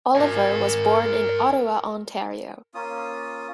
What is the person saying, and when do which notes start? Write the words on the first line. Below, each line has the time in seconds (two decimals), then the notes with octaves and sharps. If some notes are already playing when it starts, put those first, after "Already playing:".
Oliver was born in Ottawa, Ontario.
0.15 A#4 G#5
2.74 A#3 C#4 F4 D#6